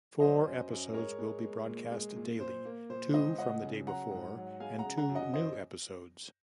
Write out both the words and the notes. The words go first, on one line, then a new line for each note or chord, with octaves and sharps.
Four episodes will be broadcast daily-two from the day before and two new episodes.
F#3 C5 D#5
F#2
F#2
G#3 A#4 C#5
G#3
G#3
A#2
G#3
A#2
A#2 C5
A#3
A#2 C5
C#2 C5 D#5
C#2 D#5 F#5
C#3
F#3 F#5 A#5
G#2
F#3
G#3 F5 G#5
F#5 A#5
C#3
F#5 A#5
F#2
D#5 F#5
C5 D#5